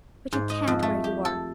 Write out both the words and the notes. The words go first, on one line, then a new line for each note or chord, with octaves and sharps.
But you can't where you are.
G#2
D#5
F2
A3
G4
A4